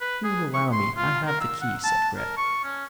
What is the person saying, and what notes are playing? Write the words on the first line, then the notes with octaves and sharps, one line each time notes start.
"If you will allow me, I have the key," said Grey.
B4
G#4
C#6
C6
F4
A#4
E6
F#5
A5
A#4
C#6
C#4